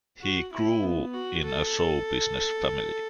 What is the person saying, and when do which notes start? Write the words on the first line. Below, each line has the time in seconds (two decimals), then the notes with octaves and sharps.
He grew in a show business family.
0.21 F#4
0.53 E4
0.83 B3
1.14 F#4
1.46 A4